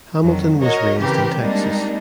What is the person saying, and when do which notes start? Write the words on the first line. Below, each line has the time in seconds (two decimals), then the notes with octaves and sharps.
Hamilton was raised in Texas.
0.20 F2 D#3 F#3
0.63 F#4 A#4 C#5 D#5
0.99 C#3 E3 C4 G4 A#4 B4
1.38 G3 G#3 A#3 C4 D4 D#4